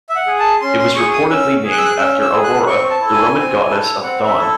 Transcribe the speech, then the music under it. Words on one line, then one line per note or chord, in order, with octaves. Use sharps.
It was reportedly named after Aurora, the Roman goddess of dawn.
E5
F#5
G#4
A5
C#4 C6
C6
G#4 C#6
D#6
C#4 E6
G#4
F#6
E6
F#6
C#4 E6
E6
G#4
F#6
C4 C#6
A5
E4 A4
G#5
C4
E4 A4
C4 F#5
E5
E4 A4